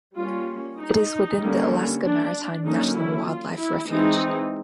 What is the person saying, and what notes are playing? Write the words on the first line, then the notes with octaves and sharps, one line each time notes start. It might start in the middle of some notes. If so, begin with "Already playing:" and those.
It is within the Alaska Maritime National Wildlife Refuge.
G3 A#3 C#4 F4
D#4
D3 G3 A#3 C#4
D4
D3 F#3 A#3 C#4 D#4
E4
F4
E4
E3 G#3 C4 D#4